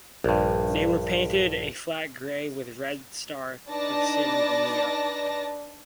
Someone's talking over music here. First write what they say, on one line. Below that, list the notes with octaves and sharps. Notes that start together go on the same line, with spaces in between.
They were painted a flat gray with red star insignia.
A#1 G2
D4 D#4 B4 D5 A5 A#6